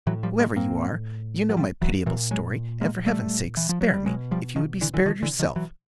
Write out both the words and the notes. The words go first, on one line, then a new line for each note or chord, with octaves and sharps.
'Whoever you are, you know my pitiable story, and for Heaven's sake spare me, if you would be spared yourself!'
A2 E3 F#3
F3 G3
G#3 A#3
A#3 C4
F#3
F3 G3
E3 F#3
A#2 E3 F#3
F#3 G#3
G#3 A#3
G3 A3
E3
F3
F#3
G3
B2 F#3 G#3
F3 G3
D#3 F3
D3 E3
D3 E3
D#3 F3
D3 E3
D#3 F3
E3 F#3